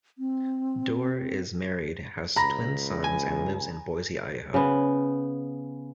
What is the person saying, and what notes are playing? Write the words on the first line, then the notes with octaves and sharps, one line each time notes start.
Doerr is married, has twin sons and lives in Boise, Idaho.
C4
C#2 A#5 B5 A#6
G#5
C#3 B3